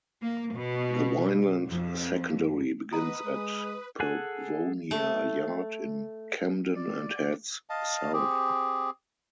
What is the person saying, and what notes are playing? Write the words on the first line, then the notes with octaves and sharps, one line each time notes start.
The Vineland Secondary begins at Pavonia Yard in Camden and heads south.
A#3
B2
F2
B3 B4 D#5 A#5 D#6
G#3
G#4 A4 F#5 G#5
A3
D5
D#5 F5 A5
C4 G4 G#4